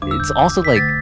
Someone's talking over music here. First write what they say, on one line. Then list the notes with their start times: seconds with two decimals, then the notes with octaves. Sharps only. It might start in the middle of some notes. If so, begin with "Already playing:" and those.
it's also, like,
0.02 E2 D3 G3 D4 D6
0.11 E6
0.20 G6
0.39 D6
0.64 B6
0.76 D3 A3 A6